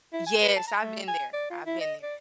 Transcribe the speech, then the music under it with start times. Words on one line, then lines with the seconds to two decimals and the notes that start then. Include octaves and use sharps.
Yes, I've been there. I've been there.
0.13 E4
0.26 G#5
0.43 B4
0.56 A5
0.68 A#5
0.83 A3
1.08 G#5
1.33 D5
1.50 F4
1.66 E4
1.81 D#5
2.03 D5